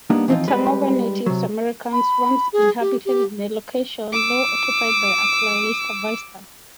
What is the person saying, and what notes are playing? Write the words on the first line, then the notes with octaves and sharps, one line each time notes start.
The Tongva Native Americans once inhabited the location now occupied by Playa Vista.
G3 A#3 B3 D4 D#4
E3 F3 C4 D#4 F4
G3 G#3 B4
C3 F#3
B5
G#4
G4
G4
D6 E6